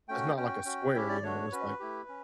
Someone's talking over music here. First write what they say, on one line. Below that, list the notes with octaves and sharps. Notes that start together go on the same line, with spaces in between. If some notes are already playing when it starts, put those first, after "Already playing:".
It's not like a square, you know? It's like
A3 C#4 F#4 G5
C#4 F#4 G5
C#4 F#4
C#4 E4 G4 E5
D5
A3 D4 F#4 C#5
C#4 F#4 B4
A3 E4 G4
C#4